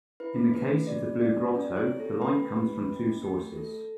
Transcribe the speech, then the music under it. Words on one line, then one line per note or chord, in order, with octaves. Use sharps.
In the case of the Blue Grotto, the light comes from two sources.
E4 B4
A3
A3 B4
A3
G4 D5
G4
C#4 D5
G4
C#4 D5
E4
C#5
G4
A4
G4
C#4 B4
A3
G4
A3
C#4
A3
G4
A3
A4
A4